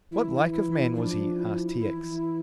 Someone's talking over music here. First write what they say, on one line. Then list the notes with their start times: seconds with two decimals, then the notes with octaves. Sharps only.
"What like of man was he?" asked T. X.
0.11 E3 E4
0.95 F3 D4
1.37 E4
1.79 E3 E4